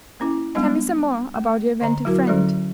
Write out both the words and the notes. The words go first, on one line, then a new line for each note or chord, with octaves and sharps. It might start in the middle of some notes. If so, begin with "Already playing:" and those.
Tell me some more about your inventive friend.
A#3 C#4 E4
G3 G#3 B3 D4 D#5
A3
D3 D#5 A#5
F#3 E4 F#4 A#4
D3 F#3 C#4 A4 D5